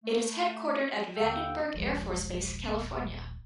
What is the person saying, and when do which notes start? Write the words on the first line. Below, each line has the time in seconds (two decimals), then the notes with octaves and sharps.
It is headquartered at Vandenberg Air Force Base, California.
0.05 A3
1.15 D#2 D3 F5 G5 E6
1.74 D#1 A#1 F3 G#3